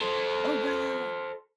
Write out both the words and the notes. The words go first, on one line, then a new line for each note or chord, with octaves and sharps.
Oh, wow.
A4 C5